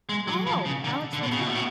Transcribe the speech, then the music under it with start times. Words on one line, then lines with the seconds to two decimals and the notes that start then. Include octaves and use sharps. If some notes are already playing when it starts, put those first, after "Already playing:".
Oh, Alex Rodri
0.09 G#3
0.27 F#3
0.47 F3
0.66 C#3
0.84 D3
1.13 D3
1.23 B2
1.32 C#3
1.40 B2
1.47 A2
1.55 B2